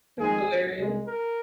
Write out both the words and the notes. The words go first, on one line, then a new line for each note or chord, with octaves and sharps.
That's hilarious.
F2 D#3 G#3 C4 G#4
C2 C3 G#3
A#4